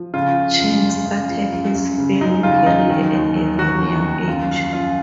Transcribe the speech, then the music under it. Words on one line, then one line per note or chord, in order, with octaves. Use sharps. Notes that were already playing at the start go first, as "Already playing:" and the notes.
Chang started his film career at a very young age.
Already playing: F3
C#3 F4
F3
F#2
F#2
F#2
F3
F#2
F#2
C#3
F#2 D#4
C#3 F4
F#2 D#4
D#3
D#2
F#3
F#3 F#4
D#2
D#2
F#2 F4
F3 F4
F#2 F4